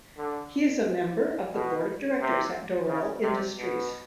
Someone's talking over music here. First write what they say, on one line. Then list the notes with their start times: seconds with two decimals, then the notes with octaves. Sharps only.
He is a member of the Board of Directors at Dorel Industries.
0.18 D3
1.53 B2
2.21 C3
2.88 C#3
3.23 C3
3.56 B2